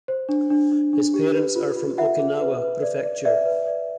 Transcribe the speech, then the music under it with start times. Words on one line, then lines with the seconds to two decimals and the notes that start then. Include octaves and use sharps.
His parents are from Okinawa Prefecture.
0.08 C5
0.29 D4
0.50 D4
0.72 D4
0.93 D4
1.14 G4
1.34 B4
1.56 F4
1.76 F4
1.98 F4 E5 F#5
2.19 G#4
2.41 B4
2.62 B4
2.82 D5
3.04 D5
3.25 B4 D5 E5
3.45 B4
3.68 D5